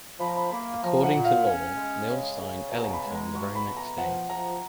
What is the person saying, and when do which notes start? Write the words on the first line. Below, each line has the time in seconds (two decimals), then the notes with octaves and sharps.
According to lore, Mills signed Ellington the very next day.
0.20 F3 B5
0.27 A#5
0.36 B5
0.51 A#3 B5
0.83 F3 A#5
1.04 F#5
1.14 A#2
1.25 F5
1.45 C#4
1.78 G#3
2.09 C#3
2.40 C#3
2.71 B2 A#5
2.93 B5
3.04 G#3
3.14 A#5
3.35 B2 C#6
3.55 B5
3.66 B2
3.77 A#5
3.98 F3 F#5
4.29 F3 A#5